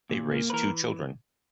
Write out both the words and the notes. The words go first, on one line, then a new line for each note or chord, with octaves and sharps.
They raised two children.
A#2
A#3
B4
E3 A#4